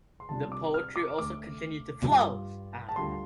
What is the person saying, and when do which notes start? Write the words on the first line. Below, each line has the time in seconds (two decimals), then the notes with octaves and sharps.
The poetry also continued to flow.
0.20 C6
0.29 F2 C3 G3 D4 F4 A5
0.52 D6
0.74 F6
0.96 D6
1.18 D2 D3 A3 D6
2.07 G2 G3 F4
2.89 A5
2.96 D2 D3 G3 F4 C6